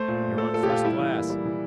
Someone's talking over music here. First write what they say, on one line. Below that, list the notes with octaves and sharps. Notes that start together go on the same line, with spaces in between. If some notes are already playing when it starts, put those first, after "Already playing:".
"You're on first-class."
Already playing: A3 C5
A#2
A3
A#2 A4
A#2 A4
G4
A#2 F4
G3 E4
E3
A#3
G3
E3